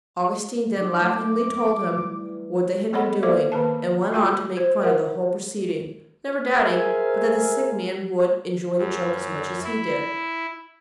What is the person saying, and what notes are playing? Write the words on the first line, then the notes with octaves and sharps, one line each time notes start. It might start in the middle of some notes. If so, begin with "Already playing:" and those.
Augustine then laughingly told him what they had been doing, and went on to make fun of the whole proceeding, never doubting but that the sick man would enjoy the joke as much as he did.
F#3 D#4 D6
A3
E3 G3
B3 A4 C#5 D#5 F#5 B5
A#3 A4 C5 D5 E5 D6
D#3 A#3 B4 A5
F4 F#4 G5
C5
A#4 E5 F#5
G#4 A#4 C5 E5 F5 G#5
F#2
E4